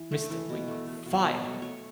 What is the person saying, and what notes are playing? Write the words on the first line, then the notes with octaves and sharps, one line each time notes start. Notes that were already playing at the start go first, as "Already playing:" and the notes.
Mr. Winkle fired.
Already playing: E3
A3
E3
B2
A3
A3
B2
B2 B4
A3 C#5
A3 C#5